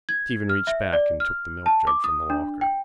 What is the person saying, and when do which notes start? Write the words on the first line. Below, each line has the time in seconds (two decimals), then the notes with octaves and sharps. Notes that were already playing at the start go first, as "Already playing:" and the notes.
Stephen reached back and took the milkjug from the locker.
0.09 G#6
0.49 F6
0.67 E5
0.93 D5
1.20 F6
1.66 A5
1.87 D6
2.04 D#6
2.30 D4
2.61 G5